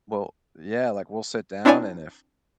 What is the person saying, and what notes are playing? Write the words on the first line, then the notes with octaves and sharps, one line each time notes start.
Well, yeah, like we'll sit down and if,
C4 D4 E4 C#5 D5 G#5